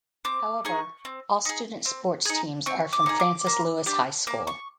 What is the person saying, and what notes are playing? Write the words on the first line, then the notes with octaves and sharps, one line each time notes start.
However all students sports teams are from Francis Lewis High School.
C4 D6
D#4 G#4 C#6
C4
D#4 G#4
C4
D#4 G#4
C4 C#6
D6
D#4 G#4
D6
A#3
D4 G4
A#3 D6
C#6